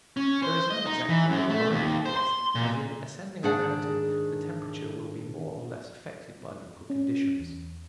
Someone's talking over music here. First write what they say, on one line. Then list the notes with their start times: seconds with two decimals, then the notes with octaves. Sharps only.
There is no exact way of arriving at this, as in ascending a mountain the temperature will be more or less affected by local conditions.
0.17 C#4
0.42 C5
0.70 D#5
0.87 D#4
1.09 E3
1.30 F#2
1.49 A3
1.71 D#2
2.05 C5
2.17 C6
2.55 A#2
3.43 G#2 D#3 D4 G#4 D5 F#5
6.90 C#4
7.39 E2